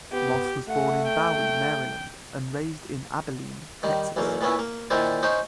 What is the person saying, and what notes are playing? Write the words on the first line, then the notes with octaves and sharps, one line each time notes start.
Moss was born in Bowie, Maryland and raised in Abilene, Texas.
B3 G4
A3 F#5
G5
D#3 G3
B1 E2 C#3 A#3
A#2 B3 C#4 E4
A#3
A#2 D#3 D4 E4 C5 G#5
C#4 D#4 C5